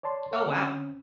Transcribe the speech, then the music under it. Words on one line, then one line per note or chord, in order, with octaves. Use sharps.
Oh, wow.
C#5 D5 A5 C6
A#4 C#5 F#5 C#6 D6 F6
D3 C4 C#4